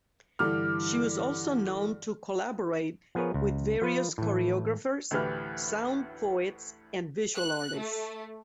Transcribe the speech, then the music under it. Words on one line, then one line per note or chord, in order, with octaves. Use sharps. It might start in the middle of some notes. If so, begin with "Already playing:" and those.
She was also known to collaborate with various choreographers, sound poets, and visual artists.
G2 D3 E3 D6 F6
F3 B3 G#4 A#4 B4 C#5
C#2
F3 F4 B4
A2 E3
D2 A2 E3 G4 B4 F6
F#6
A3